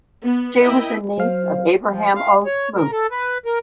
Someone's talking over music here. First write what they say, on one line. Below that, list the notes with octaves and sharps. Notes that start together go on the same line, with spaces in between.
She was a niece of Abraham O. Smoot.
B3
E4 A#4 D#5 G5
F#3 C5 F5
F3
F5
C#5
A#4
A4
B4
A#4